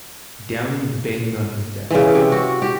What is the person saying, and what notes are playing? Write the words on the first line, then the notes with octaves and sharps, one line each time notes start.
Downing banged on his desk.
C#3 E3
C3
F#4
G4